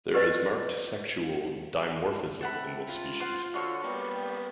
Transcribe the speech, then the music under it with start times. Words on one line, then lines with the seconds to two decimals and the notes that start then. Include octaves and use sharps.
There is marked sexual dimorphism in this species.
0.14 G4 B4 C5 D5 D#5
2.41 C3 A4 F#5 B5
2.89 F4
3.20 C5 F#5
3.54 D3 F#4 C#5
3.84 G3 A#3 B3